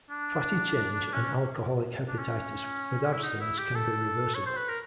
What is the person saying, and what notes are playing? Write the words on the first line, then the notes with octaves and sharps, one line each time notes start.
Fatty change and alcoholic hepatitis with abstinence can be reversible.
D4
C#4
D4
C#4
E4
D#4
E4
G4
A4
C#5
C5
B4
A#4